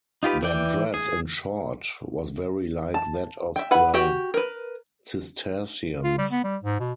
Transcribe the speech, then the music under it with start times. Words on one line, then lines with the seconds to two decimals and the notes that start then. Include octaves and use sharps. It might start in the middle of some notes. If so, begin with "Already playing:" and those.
Their dress in short was very like that of the Cistercians.
0.23 D#4 F4 G4 B4
0.43 E3 D5 G5
0.94 G#4
2.94 A5
3.56 E5 G5
3.71 B4 E5 F#5 B5
3.94 F#4 G4 G5
4.34 A#4 B4
6.04 F4
6.19 G3
6.31 B3
6.44 G3
6.63 G#2
6.80 B2